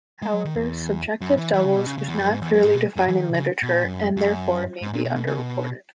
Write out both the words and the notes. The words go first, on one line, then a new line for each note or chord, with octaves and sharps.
However, subjective doubles is not clearly defined in literature, and therefore, may be under-reported.
G#3
F#3
D#3
E2
F#2
E3
E3
C#3
B2
C#3
C#3
E2
F#2
G#2
E2
F#2
G#2
B2
F#2
E3
D#3
B2
C#3
B2
A#2
F#2
F#2
G#2
A#2
B2
B2
C#3
B2